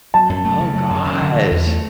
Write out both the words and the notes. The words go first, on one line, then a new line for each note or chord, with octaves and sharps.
Oh gosh.
F#3 A5
F#2
A3
C#3
F#3
F#2
F#2
D3
E3
E2
A3